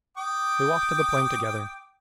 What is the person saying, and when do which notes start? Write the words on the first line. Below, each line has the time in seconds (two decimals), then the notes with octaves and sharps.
They walked to the plane together.
0.17 G5 D6 D#6